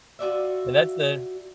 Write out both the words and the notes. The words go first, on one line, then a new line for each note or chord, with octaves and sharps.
and that's the
F4 F#4 D5 E5